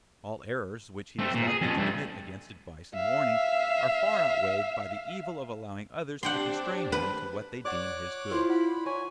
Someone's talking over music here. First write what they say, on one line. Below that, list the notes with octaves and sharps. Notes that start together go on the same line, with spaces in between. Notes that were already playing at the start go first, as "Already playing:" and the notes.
All errors which he is likely to commit against advice and warning, are far outweighed by the evil of allowing others to constrain him to what they deem his good.
A3 C4
A#2
G#4
F2 C#4
G2 A3
E5 F5
C4 D4 G4 F#5 G5 C6
B4
C#5 D5 F#5 D6 F#6
E4 F4 C5 F5
F#5 B5
C#5 G#5 A#5